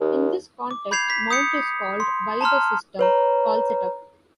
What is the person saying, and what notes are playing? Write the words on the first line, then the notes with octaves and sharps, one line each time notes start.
In this context mount is called by the system call setup.
D#2
D6
B5 G6 G#6 C7 F7
B6
D#6 G6 C#7
C6
A5 A#5 C6 F6
B4 C#5 A#5